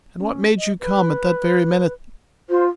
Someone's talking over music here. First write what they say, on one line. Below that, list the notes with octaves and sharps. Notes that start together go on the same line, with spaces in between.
And what made you come at that very minute?
C#4
D#5
B4
F4 C5